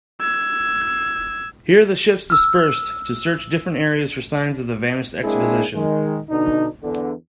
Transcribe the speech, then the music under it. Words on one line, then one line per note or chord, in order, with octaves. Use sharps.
Here the ships dispersed to search different areas for signs of the vanished expedition.
E6 G#6
E6 F6
G#3 A#3 C4 D4 E4 G#4
D#3 G#3
B2 D3 D4 D#4
E2 D3